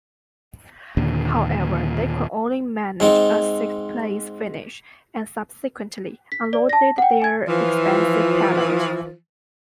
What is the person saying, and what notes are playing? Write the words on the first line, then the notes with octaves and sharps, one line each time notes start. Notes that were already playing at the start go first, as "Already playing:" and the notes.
However, they could only manage a sixth-place finish and subsequently unloaded their expensive talent.
D#2 A#2 D3
G#2 C4 D#4
B6
D5
A5 A#6
F#5 G5
G#5 G#6
E3 F3